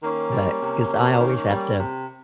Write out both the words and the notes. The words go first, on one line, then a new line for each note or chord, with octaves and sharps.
but 'cause I always have to,
D#3 A#3 C#4
G3
C3
C3
D#3
G3
C3